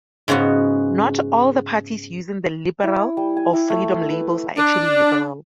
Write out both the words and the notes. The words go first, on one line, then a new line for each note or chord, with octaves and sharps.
Not all the parties using the "Liberal" or "Freedom" labels are actually liberal.
G#2 C#3 B3 C#4 F#4
E4
G3
G#5
E4
A3
B4
D4